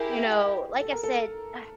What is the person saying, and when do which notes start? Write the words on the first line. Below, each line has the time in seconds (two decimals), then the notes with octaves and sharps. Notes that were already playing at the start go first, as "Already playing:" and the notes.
you know, like I said, uh,
Already playing: E4 G4 G#4 A#4
0.81 A4
0.92 A#4
1.03 A4